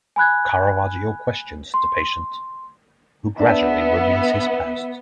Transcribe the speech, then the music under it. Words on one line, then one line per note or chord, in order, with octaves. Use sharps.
Caravaggio questions the patient, who gradually reveals his past.
G#5 B5 F#6 G#6
C6
B3 D4 E5 A5